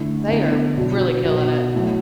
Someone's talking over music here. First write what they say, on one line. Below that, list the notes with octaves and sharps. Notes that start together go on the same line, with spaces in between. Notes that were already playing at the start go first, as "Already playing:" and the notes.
They are r really killing it.
Already playing: D3 A3 E4
D3 B3 E4
B2 F#3 D4 F#4
B2 F#3 B3
F#3 A3 E4